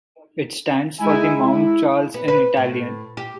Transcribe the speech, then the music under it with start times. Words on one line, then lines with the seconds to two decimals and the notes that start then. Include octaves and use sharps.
It stands for the "Mount Charles" in Italian.
1.00 G#3 D#4 E4 G#5
1.42 E4
2.14 B3
2.28 B4
2.57 A2
3.17 G4